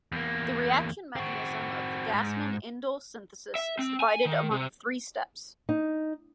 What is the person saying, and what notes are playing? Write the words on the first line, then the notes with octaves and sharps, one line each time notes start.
The reaction mechanism of the Gassman indole synthesis is divided among three steps.
E2 A#3
C4 F#4
G#2
E5
C4
G#5
D#3
C3
D#4